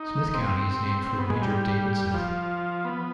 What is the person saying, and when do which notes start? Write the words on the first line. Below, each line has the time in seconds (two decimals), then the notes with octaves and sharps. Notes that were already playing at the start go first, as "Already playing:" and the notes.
Smith County is named for Major David Smith.
Already playing: D#4
0.35 C4
1.06 C4
1.19 B3
1.30 G#3
1.42 G3
2.14 F3
2.85 B3